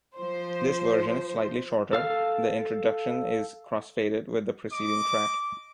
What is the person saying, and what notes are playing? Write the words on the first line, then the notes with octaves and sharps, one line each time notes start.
This version is slightly shorter, the introduction is cross-faded with the preceding track.
F3 C5
A4 F5 F6
D#5 D6